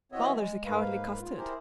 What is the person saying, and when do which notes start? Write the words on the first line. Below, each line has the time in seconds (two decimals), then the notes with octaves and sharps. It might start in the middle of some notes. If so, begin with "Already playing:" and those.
"Father's a cowardly custard."
0.12 E3 C4 F#4 C#5 D#5 E5
0.33 G#3
0.65 G#2 A#3 B4 F5
1.20 F4
1.37 E4 G4 G#4 A#4 C5